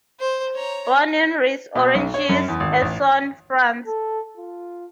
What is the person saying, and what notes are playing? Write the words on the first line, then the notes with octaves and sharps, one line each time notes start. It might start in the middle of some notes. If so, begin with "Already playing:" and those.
Born in Ris-Orangis, Essonne, France.
C5
C#5 A#5
B2
B1
C#5
F#2
E2
G#1
A1
A4
F4